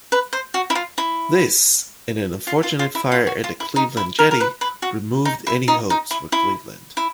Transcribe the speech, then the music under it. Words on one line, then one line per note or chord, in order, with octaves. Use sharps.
This, and an unfortunate fire at the Cleveland jetty, removed any hopes for Cleveland.
B4
C5
F#4
E4
F4
E4
F4
F4
F4
E4
F4
F#4
F4
E4
D#4
E4
A#4
A#4
B4
B4
F#4
D#4
E4
D#4
D#4
E4
E4
E4